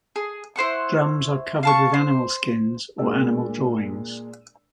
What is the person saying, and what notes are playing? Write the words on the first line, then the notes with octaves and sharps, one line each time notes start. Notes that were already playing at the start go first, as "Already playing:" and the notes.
Drums are covered with animal skins or animal drawings.
G#4
E4 C5 F#5 C#6
F5 A5 C#6
C5
A#2 G#3 D4 A#4 D5 E6